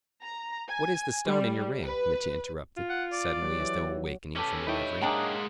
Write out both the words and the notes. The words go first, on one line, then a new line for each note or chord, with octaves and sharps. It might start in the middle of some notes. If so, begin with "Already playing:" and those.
"What is the stone in your ring?" Mitya interrupted suddenly, as though awakening from a reverie.
A#5
G#5
G3
B4
F4
F#5
D5
F#3 G4
E3
C#4 G4 A4 B4
D#4 E4 B4 C#5 G5
G#3 A#3 D4 G#4 D#5 F#5 G5 A#5